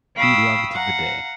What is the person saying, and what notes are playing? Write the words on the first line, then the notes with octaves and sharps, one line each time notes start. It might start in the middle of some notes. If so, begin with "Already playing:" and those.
He loved the day.
F5 G5 B5 C#6 D#6 E6
F5 F#5 A#5